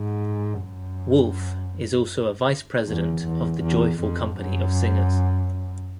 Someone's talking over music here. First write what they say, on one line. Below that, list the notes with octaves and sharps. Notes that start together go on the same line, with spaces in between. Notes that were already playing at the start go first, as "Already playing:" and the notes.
Woolf is also a Vice President of the Joyful Company of Singers.
Already playing: G#2
F#2
E2
E2
E2
F2
F#2